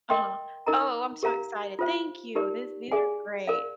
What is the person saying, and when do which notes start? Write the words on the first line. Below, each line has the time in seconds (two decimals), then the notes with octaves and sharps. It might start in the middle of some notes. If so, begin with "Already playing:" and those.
Uh-huh. Oh, I'm so excited. Thank you. This these are great.
0.10 A#4 D#5 G5 C6
0.66 D#4 A#4 D#5 A#5
1.23 G4 A#4 F5 A#5
1.79 F4 C5 F5
2.35 D#4 G4 A#4 D5
2.92 G#4 D5 F5 G#5
3.47 A#4 D5 F5